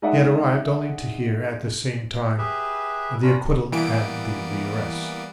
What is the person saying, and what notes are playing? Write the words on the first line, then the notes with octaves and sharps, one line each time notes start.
He had arrived only to hear, at the same time, of the acquittal and the rearrest.
G#3 D#4 D5 E5 F#5
G4 G#4 B4 E5
C#4 D4 F4 A#5 B5
E3 G3 A#3 B3 D7